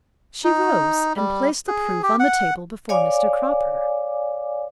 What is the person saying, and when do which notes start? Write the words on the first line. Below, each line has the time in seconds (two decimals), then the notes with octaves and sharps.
She rose and placed the proof on the table before Mr. Cropper.
0.44 D#4
1.16 G3
1.68 G#4
2.03 G4
2.20 F#5
2.89 C#5 D5 F5 G#5 D6